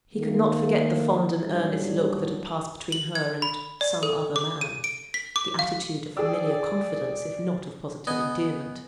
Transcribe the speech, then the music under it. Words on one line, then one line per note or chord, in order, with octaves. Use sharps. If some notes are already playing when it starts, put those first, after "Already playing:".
He could not forget the fond and earnest look that had passed between her and some other man--the attitude of familiar confidence, if not of positive endearment.
D#3 A3 A#3
D#2 A2 D3 F#3 G3
F#7
G#6
B5
D5
A4
D6
D#7
D7
B6
D6
F5
G#4 D5 G5 E6
B3 D#5 G#5